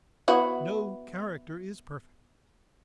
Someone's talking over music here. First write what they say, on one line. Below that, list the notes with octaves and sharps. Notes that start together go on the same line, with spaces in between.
No character is perfect.
B3 E4 F#4